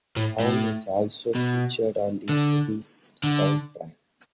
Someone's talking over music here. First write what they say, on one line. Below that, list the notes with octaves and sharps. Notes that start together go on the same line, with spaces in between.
Haun is also featured on the movie's soundtrack.
A2
A2
B2
D3
D3